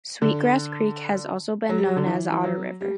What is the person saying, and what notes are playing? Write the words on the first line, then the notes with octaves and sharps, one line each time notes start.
Sweet Grass Creek has also been known as: Otter River.
D3
F#3
G3
F#3
D3
E3
E3
F#3
G3